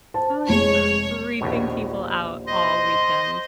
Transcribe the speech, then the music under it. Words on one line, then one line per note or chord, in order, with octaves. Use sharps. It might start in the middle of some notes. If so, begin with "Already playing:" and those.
I was creeping people out all weekend.
C5 A5
F1 G#3 C#5
A#1 D#2 B2
C5 D#5